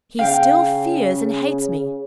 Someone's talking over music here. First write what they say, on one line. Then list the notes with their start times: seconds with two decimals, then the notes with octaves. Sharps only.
He still fears and hates me.
0.19 C#3 F5 G5